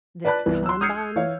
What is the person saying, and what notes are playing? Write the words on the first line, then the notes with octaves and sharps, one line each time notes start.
this Kanban,
B4 D5 A5 B5 F#6
C2 E3 B3
C6 E6
D#6 F6 G6 G#6 C7 C#7
E3 C#5 F5